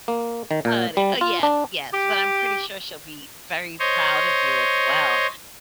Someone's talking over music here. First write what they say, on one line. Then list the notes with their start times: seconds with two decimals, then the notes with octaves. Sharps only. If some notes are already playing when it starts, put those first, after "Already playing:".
Uh, de uh, yes, yes, but I'm pretty sure she'll be very proud of you as well.
0.08 A#3
0.51 D#3
0.65 A#2
0.97 G3
1.21 F4
1.43 D4
1.93 G4
3.80 C5 C#5 D#5